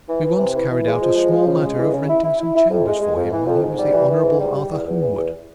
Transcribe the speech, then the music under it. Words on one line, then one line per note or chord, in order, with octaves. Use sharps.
We once carried out a small matter of renting some chambers for him when he was the Honourable Arthur Holmwood.
E3
E3
C3
E3
E3
G#3
F3
G#3
F3
C#3
G#3
E3
C#3
E4
E4
E4
E4
F2
G#3
G#3
F2
E3
F2
G#2
G3
E3
E3
G#2
G3
G3
E2
E2
E3
E2